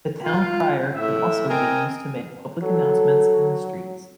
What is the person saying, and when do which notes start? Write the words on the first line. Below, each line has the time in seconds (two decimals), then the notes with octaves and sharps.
The town crier can also be used to make public announcements in the streets.
0.23 F4
0.94 A2 E5
1.48 C4 A#4 D#5 G#5
2.61 F#3 A4